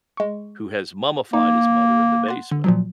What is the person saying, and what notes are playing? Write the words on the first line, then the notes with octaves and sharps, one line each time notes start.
who has mummified his mother in the basement,
G#3 C#6
A#3 D#4
F#5 C6 A6
D3
A#2 F3 F#3